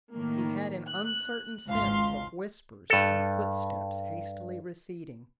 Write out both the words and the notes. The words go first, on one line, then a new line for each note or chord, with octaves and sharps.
He had an uncertain sense of whispers and footsteps hastily receding.
A2 D#3 A#3
F#6
G#1 C#2 F5 C6
G2 A4